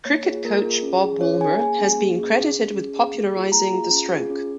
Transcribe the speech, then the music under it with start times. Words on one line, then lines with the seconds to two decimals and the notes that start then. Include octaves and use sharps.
Cricket coach Bob Woolmer has been credited with popularising the stroke.
0.05 A#3 C#5
0.25 F4 G#4
0.45 A#3 A#4
0.64 F4 G#4
0.83 C#4
1.03 G#4
1.21 C#4 C#5
1.40 G#4 G#5
1.59 A#3 G#5
1.79 C#4 G#4
1.98 A#3
2.18 C#4 G#4
2.37 C#4
2.56 G#4
2.75 C#4
2.94 G#4
3.14 A#3
3.33 F4 G#4
3.52 A#3 A#5
3.72 F4 G#4
3.90 C#4
4.10 F4 G#4
4.30 C#4